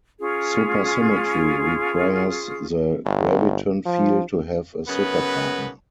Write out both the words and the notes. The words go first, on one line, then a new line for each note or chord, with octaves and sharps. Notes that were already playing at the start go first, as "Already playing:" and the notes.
Supersymmetry requires the graviton field to have a superpartner.
C#4 F4 G#4
G1
F3
F#2 C#3 B3 B4